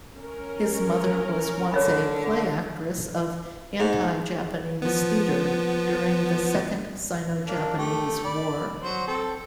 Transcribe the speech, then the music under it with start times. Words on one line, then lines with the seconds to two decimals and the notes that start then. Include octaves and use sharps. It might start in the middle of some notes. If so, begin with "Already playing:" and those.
His mother was once a playactress of Anti-Japanese Theatre during the Second Sino-Japanese War.
0.17 C#4 A#4
1.72 D3 C#5 E5 B5
3.80 G#2
4.82 F3 B3
7.45 A#3 D4
7.78 A3 G4
8.24 D5 B5
8.83 F#3 C5
9.07 C4 A4